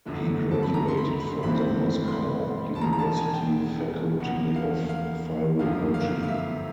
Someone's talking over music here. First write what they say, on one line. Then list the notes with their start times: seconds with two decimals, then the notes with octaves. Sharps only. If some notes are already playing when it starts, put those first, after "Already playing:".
He graduated from the Moscow University faculty of philology.
0.06 G1 F#2 D3 F3 A3
0.51 A5
0.63 B5
0.74 A#5
0.88 C6
0.97 B5
1.20 B5
1.43 G#1 G2 E3 A3 C4 B5
2.08 C6
2.12 B5
2.75 A5
2.81 E1 E2 C#3 A#5
2.93 A#5
2.99 A5
3.17 G#5
3.34 G5
4.21 E2 C#3 F3 A#3 F#5
4.56 F5
4.89 F5
5.59 G1 F#2 D3 F3 F5
5.94 F5
6.23 F5
6.28 E5